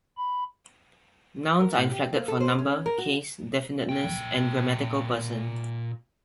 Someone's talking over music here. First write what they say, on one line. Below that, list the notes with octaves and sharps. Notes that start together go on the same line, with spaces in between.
Nouns are inflected for number, case, definiteness, and grammatical person.
B5
A#4
A2
G4
A#3
A4
C5
C#4
A#4
F#4
A#2 G5